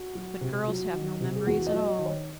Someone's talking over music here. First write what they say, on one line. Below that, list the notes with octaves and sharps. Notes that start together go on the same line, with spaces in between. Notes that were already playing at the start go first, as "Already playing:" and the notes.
But girls have no memories at all!
Already playing: F#4
F#3
C3
F#3
D#3
C3
G#4
E2 F#4
D#5
F#3
D#5
D#3
C#5